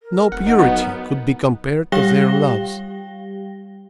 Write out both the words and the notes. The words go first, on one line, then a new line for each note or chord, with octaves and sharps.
No purity could be compared to their loves.
A#4
F1 F#5
D#4 F#5
F#3 B3 D#4 F#4
A#4
G3 G4 F5 G5 A#6 G7